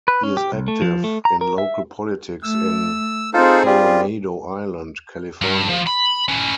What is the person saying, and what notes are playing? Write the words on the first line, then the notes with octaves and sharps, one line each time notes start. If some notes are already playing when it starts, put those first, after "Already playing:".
He is active in local politics in Coronado Island, California.
B4
C#4
G4
C2
A3
F3
A3
A#5
A#4
E5
A3 E6
C4 D#4 F4 G#4 A4 C5
G3 F4
G2
F3
B5
C#4 B4